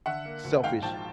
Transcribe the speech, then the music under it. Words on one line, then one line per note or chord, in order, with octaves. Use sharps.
eh, selfish,
D3 E5 F#5
A#3
D2
G#2 F5 G5
A#1 G5 A5